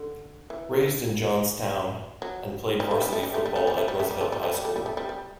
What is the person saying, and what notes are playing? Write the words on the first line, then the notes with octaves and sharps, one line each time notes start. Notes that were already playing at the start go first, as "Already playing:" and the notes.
Raised in Johnstown and played varsity football at Roosevelt High School.
Already playing: D3
E3
F#3
G3
A3
G3
A3
G3
A3
G3
A3
G3
A3
G3
A3
G3
A3
G3
A3
G3
A3
G3
A3
G3
G3